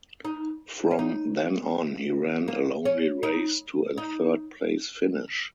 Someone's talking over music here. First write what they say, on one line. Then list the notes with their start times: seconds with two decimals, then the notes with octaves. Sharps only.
From then on, he ran a lonely race to a third-place finish.
0.25 D#4
0.91 C#4
0.99 D#4
2.48 A#3
2.85 C#4
3.23 D#4
3.98 D#4